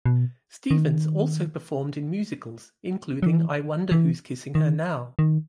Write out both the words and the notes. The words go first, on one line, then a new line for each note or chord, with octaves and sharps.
Stevens also performed in musicals including I Wonder Who's Kissing Her Now?
B2
D#3
F#3
E3
E3
D#3
D#3